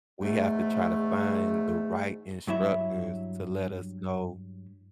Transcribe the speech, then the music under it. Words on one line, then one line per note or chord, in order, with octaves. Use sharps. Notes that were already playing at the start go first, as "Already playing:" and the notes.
we have to try to find the right instructors to let us know,
E2 G#2 A3
G2 F#3 E4 E5